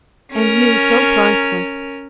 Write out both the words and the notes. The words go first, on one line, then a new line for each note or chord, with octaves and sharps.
And you so priceless!
C#4 A#4